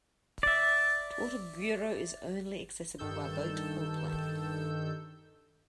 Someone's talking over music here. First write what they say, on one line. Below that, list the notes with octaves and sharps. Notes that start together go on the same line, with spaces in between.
Tortuguero is only accessible by boat or plane.
D5 E5
G2 D#3 A4 E6 G6